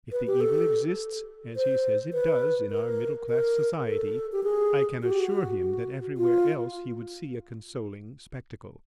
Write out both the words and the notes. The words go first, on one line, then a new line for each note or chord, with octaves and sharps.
If the evil exists, as he says it does, in our middle-class society, I can assure him that everywhere else he would see a consoling spectacle.
B4
G4
A4
C5
B4
A#4
A#4
A4
G4
G#4
F#4
G4
F#4
F#4
F4